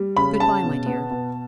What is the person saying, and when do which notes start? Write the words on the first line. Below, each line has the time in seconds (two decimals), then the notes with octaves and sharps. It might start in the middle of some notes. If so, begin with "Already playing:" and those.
"Good-bye, my dear."
Already playing: G3
0.16 C#3 B5
0.40 C#3 A5
0.64 B2
0.86 B3
1.10 B2